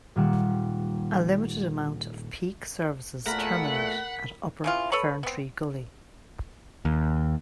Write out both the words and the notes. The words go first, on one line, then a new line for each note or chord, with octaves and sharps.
A limited amount of peak services terminate at Upper Ferntree Gully.
D#1 A#2 D#3 G3 F#5 E7
E2 A#2 A3 A#4 F#5 B5 B6
C#3 E3 F4
A4 B4 C#5 B5
B3 C4
D#2